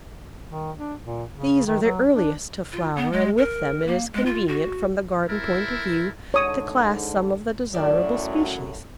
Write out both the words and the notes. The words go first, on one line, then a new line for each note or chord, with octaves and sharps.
These are the earliest to flower, and with them it is convenient, from the garden point of view, to class some of the desirable species.
D#3
D4
A#2
C#3
D#3
F#3
D4
F4
B3
G#3
A#4
A#3
G#3
F4
F#4
C4 E4 A4 A#4
G#2 D3 C#5 D#6
F#2 A2 F#3 G3 D4 D5